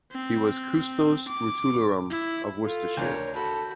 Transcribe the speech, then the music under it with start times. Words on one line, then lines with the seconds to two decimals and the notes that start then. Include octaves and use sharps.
He was "Custos Rotulorum" of Worcestershire.
0.12 C4
1.28 D6
2.11 E4
2.65 F4 A4
2.97 D2 D4 A#4 C#5 G6
3.35 F#4 A4 B5